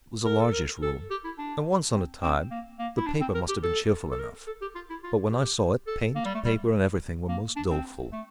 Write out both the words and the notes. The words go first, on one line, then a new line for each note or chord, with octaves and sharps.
It was a largish room, and once on a time the paper must have been cheerful enough, but when I saw it, paint, paper, and everything were most doleful.
A#4
A4
A#4
A4
G4
E4
D4
C4
C4
A#3
A#3
E4
D4
C4
A#4
G4
A4
A4
A#4
A4
G4
F4
E4
F4
G4
A4
A#3
G3
A3
G3
A#3
D4
C4
A3